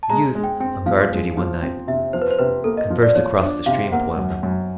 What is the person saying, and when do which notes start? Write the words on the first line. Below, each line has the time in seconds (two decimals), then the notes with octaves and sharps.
The youth, on guard duty one night, conversed across the stream with one of them.
0.03 A5
0.10 G#3 A#5
0.35 G#3
0.44 G5
0.60 C4 G5
0.86 F3 F5
1.12 G#3
1.37 F3
1.62 C4
1.87 C3 E5
2.13 F3 C5
2.22 B4
2.31 C5
2.39 C3 B4
2.64 A#3 A4
2.77 D#5
2.90 F3
3.03 D5
3.15 F3 C#5
3.41 D4
3.66 C3 F5
3.92 A#3 F#5
4.17 F#2
4.43 F#2